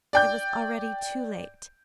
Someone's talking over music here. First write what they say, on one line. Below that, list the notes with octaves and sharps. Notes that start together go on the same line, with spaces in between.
It was already too late.
D5 G5 G6